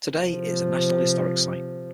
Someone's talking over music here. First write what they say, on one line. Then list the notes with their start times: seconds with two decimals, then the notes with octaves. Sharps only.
Today it is a national historic site.
0.20 C3 F3